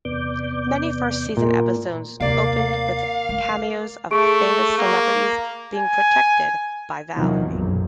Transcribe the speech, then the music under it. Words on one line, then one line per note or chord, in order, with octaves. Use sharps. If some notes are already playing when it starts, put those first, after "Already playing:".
Many first season episodes opened with cameos of famous celebrities being protected by Vallery.
E2 C3 B3 D5 D6 G6
A#2
D#2 C3 A#3 D5 F5
A3
A3 G#4 C#6 D7
A#3
G#5
E2 C3 D#3 F3 F#3
B1 F#2 A#2